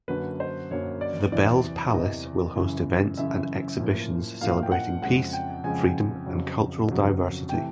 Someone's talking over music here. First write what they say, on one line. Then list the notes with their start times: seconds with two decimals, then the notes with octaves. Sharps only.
The Bells Palace will host events and exhibitions celebrating peace, freedom and cultural diversity.
0.08 F#2 D3 F#3 A#3 B4
0.40 C5
0.71 F#2 D3 F#3 A#3 C#5
1.01 D5
1.32 E2 C3 E3 D5
1.94 E2 C3 E3 D#5
2.55 F#2 C#3 E3
3.17 F#2 C#3 E3 E5
3.79 A2 F3 A#3
4.41 A2 F3 A#3 F5
4.63 G5
4.72 F#5
5.02 F2 C#3 F3 G#3 F#5
5.33 G5
5.64 F2 C#3 F3 G#3 G#5
6.26 F2 C#3 F#3
6.89 F2 C#3 F#3
7.49 C3 E3 A3 G5